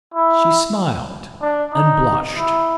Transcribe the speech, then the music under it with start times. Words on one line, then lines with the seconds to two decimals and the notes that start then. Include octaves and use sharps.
She smiled and blushed.
0.14 E4
1.41 D4
1.74 D#4
2.37 E4